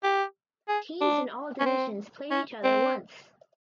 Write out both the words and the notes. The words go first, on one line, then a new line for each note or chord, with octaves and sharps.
Teams in all divisions played each other once.
G4
G#4
D4
C#4
C4
C#4
C4